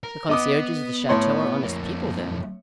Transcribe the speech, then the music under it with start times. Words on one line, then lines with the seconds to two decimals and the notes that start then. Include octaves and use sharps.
"The concierges of the chateau are honest people, then?"
0.04 A#4
0.29 B3 D#5 D6 D#6
1.09 A2 C#5 C6
1.63 F2 A#3